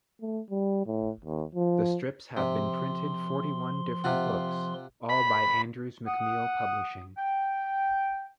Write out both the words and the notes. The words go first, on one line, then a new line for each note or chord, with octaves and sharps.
The strips have been printed forty-one different books, all by Andrews McMeel Publishing.
A3
G3
A2
D#2
F3
C3 F3 C6
C3 F4 F#5
B5
F#5 D#6
G5